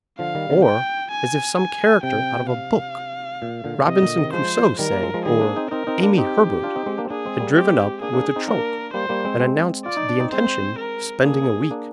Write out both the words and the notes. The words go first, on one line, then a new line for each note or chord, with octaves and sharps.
Or as if some character out of a book, Robinson Crusoe, say, or "Amy Herbert," had driven up with a trunk and announced the intention of spending a week.
D3 F3 F5
D#3 G3
C3 D#3
G5
G#5
G#5
C3 G5
F5
A#2
A#2 D3
A#2
C3 D#5
A#2 D3
C3 D#3
F3 G#3 C5
D#3 G3 A#4
G3 A#3
F3 G#3
F3 G#3
D#3 G3 G#4
A#3 D4
C4 D#4
C4 D#4 A#4
C4 D#4
A#3 D4
C4 D#4 G4
D4 F4
C4 D#4
G#3 C4
A#3 D4
C4
A#3 D4 G#4
G#3 C4
G3 A#3
G#3 C4 G4
A#3 D4 G#4
A#3 D4
C4 D#4
A#3 D4 A#4
G3 A#3 C5
G3 A#3
G#3 C4
G#3 C4
F4 D5
D#4
D4
C4 D#4
G#3 C4 C5
A#4
A#3 D4 G#4
A#3 D4